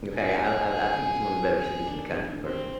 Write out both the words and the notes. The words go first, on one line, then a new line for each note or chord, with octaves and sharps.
Okay? I I I think it's one of the better cities in the country, personally.
G#4
G#4
D4
C4